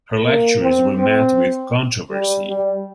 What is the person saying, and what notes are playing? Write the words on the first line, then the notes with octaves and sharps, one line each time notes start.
Her lectures were met with controversy.
A#3
C4
C4
G3
G3